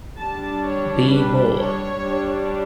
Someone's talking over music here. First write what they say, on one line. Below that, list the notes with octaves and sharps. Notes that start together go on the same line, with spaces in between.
Be Moore.
G3 D4 A5
C#5
B4
C#5
G3 D4